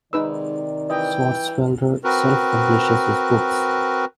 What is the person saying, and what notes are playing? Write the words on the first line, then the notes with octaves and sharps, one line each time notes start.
Swartzwelder self-publishes his books.
G#2 C3 D#3 D#4 B4 D5 E6
E3 D#5 G5
C4 F#4 A#4 B4